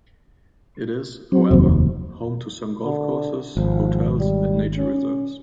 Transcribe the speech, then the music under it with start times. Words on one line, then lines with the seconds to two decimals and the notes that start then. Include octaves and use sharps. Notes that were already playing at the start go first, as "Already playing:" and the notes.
It is, however, home to some golf courses, hotels, and nature reserves.
1.32 F#3 C4
1.51 F1 D#2
2.84 D3
3.57 G#1 F3
4.19 G3
4.77 C#4